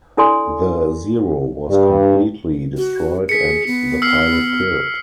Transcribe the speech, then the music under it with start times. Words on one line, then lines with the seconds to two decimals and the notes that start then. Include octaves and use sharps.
The Zero was completely destroyed and the pilot killed.
0.17 D4 E4 A4 D5 G#5 C6
1.70 G2
2.77 F#4
3.29 G#4 B6 C#7
3.67 B3
4.02 E6 F6 C7